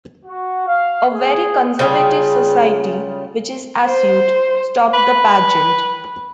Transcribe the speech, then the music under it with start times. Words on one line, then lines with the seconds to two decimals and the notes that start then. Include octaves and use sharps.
A very conservative society, which is Asyut, stopped the pageant.
0.25 F#4
0.67 F5
1.12 G#4
1.79 C#3 G3 F4 G#4
3.86 C5
4.94 B4